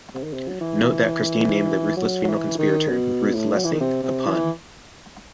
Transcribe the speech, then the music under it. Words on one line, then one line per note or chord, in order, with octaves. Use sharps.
Note that Christie named the ruthless female conspirator "Ruth Lessing", a pun.
C3
D#3
C3
F#3
E3
F#3
F#3
E3
D#3
B2
A2
F#3
E3
D#3
C3
C3
E3